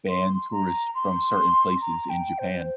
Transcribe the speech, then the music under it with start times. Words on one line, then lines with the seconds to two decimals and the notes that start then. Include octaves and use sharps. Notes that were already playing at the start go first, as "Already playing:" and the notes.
ban tourists from certain places in Japan
0.09 C6
0.52 A#5
0.95 C6
1.81 A#5
2.10 G5
2.39 C5